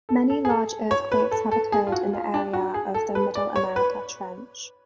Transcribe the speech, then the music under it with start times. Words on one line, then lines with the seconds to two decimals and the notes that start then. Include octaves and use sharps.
Many large earthquakes have occurred in the area of the Middle America Trench.
0.09 A4
0.30 A4
0.45 G#4
0.50 A4
0.91 C#5
1.12 B4
1.31 A4
1.51 A4
1.72 G#4
1.87 F4
1.92 F#4
2.13 F4
2.34 D4
2.53 F#4
2.74 G#4
2.94 A4
3.15 B4
3.35 D5
3.56 C#5
3.76 B4